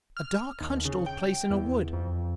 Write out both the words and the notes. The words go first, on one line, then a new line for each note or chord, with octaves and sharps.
A dark hunched old place in a wood.
F6
D#2
C#3
G5
E2
F2